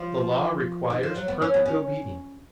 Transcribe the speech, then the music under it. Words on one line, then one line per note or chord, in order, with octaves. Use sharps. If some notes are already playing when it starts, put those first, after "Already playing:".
The Law requires perfect obedience.
Already playing: F3
D#3
F3
F#3
B3
C#4
B3
C#4